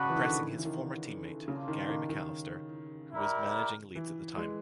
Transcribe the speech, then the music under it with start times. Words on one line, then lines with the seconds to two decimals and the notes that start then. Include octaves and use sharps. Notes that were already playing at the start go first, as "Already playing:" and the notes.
Impressing his former teammate Gary McAlliser who was managing Leeds at the time.
Already playing: C#3 B3 D4 F#4 B4
0.10 E3
0.16 D#3
0.23 D3
0.58 E3
0.65 D#3
1.48 C#3 A#3 D4 F4
1.68 D#3
1.89 D#3
2.09 D#3
3.13 E4 G4 A#4 D5
3.95 E3
4.37 G#3